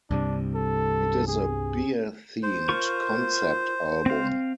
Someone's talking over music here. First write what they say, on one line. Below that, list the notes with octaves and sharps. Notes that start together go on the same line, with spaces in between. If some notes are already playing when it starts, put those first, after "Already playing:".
It is a "beer-themed" concept album.
C2 G2 C3 D4
A4
G#4
C5
F4 A#4 C#6
C4 F5